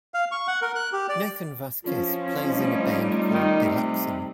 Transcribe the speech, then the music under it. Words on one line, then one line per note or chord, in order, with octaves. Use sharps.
Nathan Vasquez plays in a band called Deluxin.
F5
C#6
F#5
A#4
F#6
G4
D5
F3 C#4 F4
G3 A3 D#4
D#3
C3